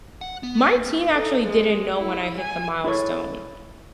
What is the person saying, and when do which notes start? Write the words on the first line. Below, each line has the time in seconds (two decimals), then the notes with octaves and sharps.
my team actually didn't know when I hit the milestone.
0.21 F#5
0.43 B3
1.09 D#4 A4
1.44 G#3
1.97 E4
2.39 G#5
2.84 E4 G#4 A4 C#5